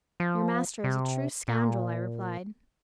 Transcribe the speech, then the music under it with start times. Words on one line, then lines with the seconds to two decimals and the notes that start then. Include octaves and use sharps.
'Your master is a true scoundrel!' I replied.
0.20 F3
0.84 C3
1.48 A#2